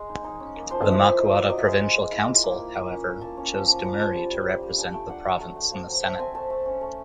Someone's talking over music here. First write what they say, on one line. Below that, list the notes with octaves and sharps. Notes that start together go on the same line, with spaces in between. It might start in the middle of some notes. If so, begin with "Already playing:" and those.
The Macuata Provincial Council, however, chose Dimuri to represent the province in the Senate.
Already playing: G#3 G#4
D#4
D#4
C#4
A#3
F3 C5
E4 D#5
E5
A#3
D#4
F#3
D5
F#3 D#5
E5
G#3 F5
G#3
G#3
E4
F4
A#3
A#3
A#3
C#4
A#3
A#3 A5
C#4
F3
F3
F4 A#5
F3 A5
G3 A5
G3
A#3
G3
D4 G#5
A3 G5
D4 F#5
F#3
A3
A3
C4 F5
F#3
A3 E5
C4 G#5
A3 A5
A3
C#4
A3